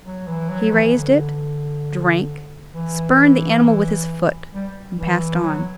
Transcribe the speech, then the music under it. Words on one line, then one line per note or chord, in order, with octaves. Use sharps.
He raised it, drank, spurned the animal with his foot, and passed on.
F#3
E3
F#3
E3
D3
E3
G3
E3
F#3